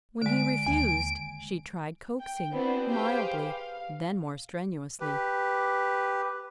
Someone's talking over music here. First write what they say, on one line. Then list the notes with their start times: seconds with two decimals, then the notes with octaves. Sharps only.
When he refused she tried coaxing, mildly, then more strenuously.
0.21 D3 G#3 D7
0.66 D#2 G#5
2.20 G5
2.51 B3 C4 D4 E4 F#4 C5
2.88 G4 G#4 B4 C5 F5 G5
3.44 F5
5.00 G4 B4